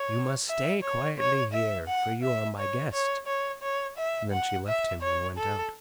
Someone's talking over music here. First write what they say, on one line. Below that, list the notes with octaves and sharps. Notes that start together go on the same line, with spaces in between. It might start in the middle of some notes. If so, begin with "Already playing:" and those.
"You must stay quietly here, for you are my guest." Then she left him and went out.
Already playing: C#5
E5
C#5
C#5
E5
F#5
E5
C#5
C#5
C#5
C#5
E5
F#5
E5
C#5
A4